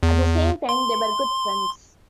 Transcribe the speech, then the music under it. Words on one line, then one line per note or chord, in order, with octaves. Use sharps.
At the same time, they were good friends.
E2
C6